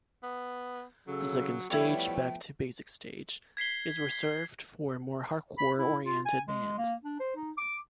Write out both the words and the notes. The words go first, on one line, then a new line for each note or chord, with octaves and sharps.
The second stage, Back-to-basics-stage, is reserved for more hardcore oriented bands.
B3
C#3 F#3 A4
F3 G3 A3 B3 E4 C#5 G5
G#6 B6 C7 G7
B5
E4
F4
G#5
G#3
A#3
D4
C5
D#4
D6